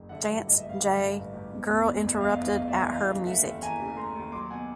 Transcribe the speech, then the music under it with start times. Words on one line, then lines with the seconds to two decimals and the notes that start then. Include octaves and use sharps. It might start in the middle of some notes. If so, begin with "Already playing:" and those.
Janson, J.. Girl Interrupted at Her Music.
Already playing: F#1
0.09 D3 E5 F#5
0.28 G2
0.44 A1 D#5
0.58 A1 E5
0.69 F5
0.80 D3 E5 F#5
0.97 G2
1.16 A1
1.33 A1
1.50 B2
1.68 E2
1.86 F#1
2.04 F#1
2.12 E5
2.21 B2 D#5 F5
2.38 E2
2.44 D#5 F5
2.56 F#1
2.68 D5 E5
2.74 F#1
2.92 E3 D#5 F5
3.10 C#3
3.27 A3 E5 F#5
3.44 D#2
3.62 E3 G#5 A#5
3.80 C#3
3.97 A3 A#5 C6
4.16 D#2
4.32 F#3 C6 D6
4.51 B2 F#5 G#5